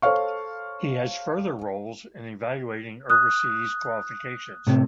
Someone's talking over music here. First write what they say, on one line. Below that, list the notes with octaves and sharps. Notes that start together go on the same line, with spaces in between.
It has further roles in evaluating overseas qualifications.
A4 C5 C#5 F5 C#6
D#6 F#6
A2 C3